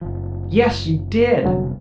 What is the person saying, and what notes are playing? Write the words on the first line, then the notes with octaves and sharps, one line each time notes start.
"Yes, you did."
F#1 F3
F1 C2 B2 D3 F#3